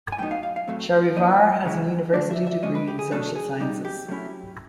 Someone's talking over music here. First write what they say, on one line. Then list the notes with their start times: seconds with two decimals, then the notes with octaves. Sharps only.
Shahrivar has a university degree in social sciences.
0.12 G#5
0.18 A2 F#3 B3 D#4 G5
0.31 F5
0.43 F5
0.56 F5
0.68 A2 F#3 A3 C4
1.16 F#3 A#3 D4 D#5
1.65 C#3 E3 G#3 C#4 E4
2.13 D3 F3 A3 D4 D5
2.31 E5
2.47 E5
2.63 D3 F3 G#3 C#4 D#5
2.75 B4
2.88 G4
2.99 G#4
3.11 B2 F#3 A3 D4 A4
3.35 G#4
3.60 B2 G3 C4 D#4 G4
3.85 G4
4.08 F#3 A3 C#4 E4